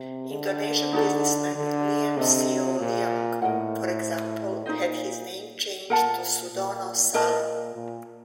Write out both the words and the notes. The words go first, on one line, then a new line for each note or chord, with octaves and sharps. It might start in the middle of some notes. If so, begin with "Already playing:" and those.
Indonesian businessman, Liem Sioe Liong, for example, had his name changed to Sudono Salim.
Already playing: C3
D3
D#4 F#4 A4
D3
C3 D4 A4 D#5
A#2
A2 A#4 D#5 F#5
A#2 D#4 F#4 C5 D#5
A#2 A#4 F#5 A5
A#2
A#2 A#4 D#5 A5
A#2